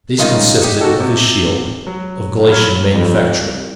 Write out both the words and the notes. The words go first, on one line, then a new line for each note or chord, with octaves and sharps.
These consisted of his shield, of Galatian manufacture.
D#3 G3 G#3 C#4 D#4 F4
F1 D#4 G4
F#4 A4
C3
F#3
A#2 F#3 B5 F6 G#6
F2
C2